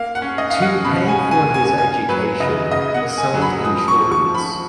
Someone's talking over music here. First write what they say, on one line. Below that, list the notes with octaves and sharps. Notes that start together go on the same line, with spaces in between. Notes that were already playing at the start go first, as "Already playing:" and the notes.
To pay for his education he sold insurance.
Already playing: A#3 F5
F#5
C#4
D#5
C#4 F5
F#5
B2 B5
G#5
C#4
G#5
A#3
G#5
A#3 G#5
F#3 B4
C#3 D#5
C#3 D#5
F#5
A#3
G#5
F#3
B5
F3 D#6
C#6
F3
C#6
F3
B5